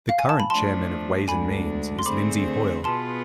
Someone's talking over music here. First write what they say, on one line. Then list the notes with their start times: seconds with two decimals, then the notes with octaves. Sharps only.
The current Chairman of Ways and Means is Lindsay Hoyle.
0.09 F5
0.19 G#5
0.29 A5
0.40 B5
0.50 F3 A3 D4 A5 C6
1.28 D2 D3 G#3 D4 G#5 B5
1.99 C6
2.06 D3 A3 C4 G#4 C5 B5 D6
2.84 B2 B3 F4 G#4 B4 A5 C6